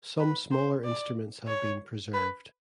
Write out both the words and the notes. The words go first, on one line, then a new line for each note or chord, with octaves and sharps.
Some smaller instruments have been preserved.
B4
C5
D5
C#5
B4